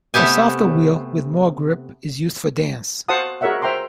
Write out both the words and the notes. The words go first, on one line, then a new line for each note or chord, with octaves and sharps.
A softer wheel with more grip is used for dance.
C3 A3 B3 G4 G#5
F#4 C5 F5 F#5 A5 D#6
F#4 G#4 A#4 C#5 E5 F#5
C5 E5 G5 A#5 C6 D6